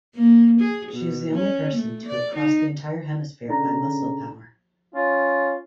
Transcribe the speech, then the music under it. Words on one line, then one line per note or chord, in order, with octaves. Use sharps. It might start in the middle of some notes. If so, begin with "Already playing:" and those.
She is the only person to have crossed the entire hemisphere by muscle power.
A#3
G#4
B2
C#4
A3
D5
D#4
C#3 D4 A4 A#5
C#4 F4